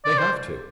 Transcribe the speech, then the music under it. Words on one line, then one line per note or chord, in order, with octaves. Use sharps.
They have to.
D5
C5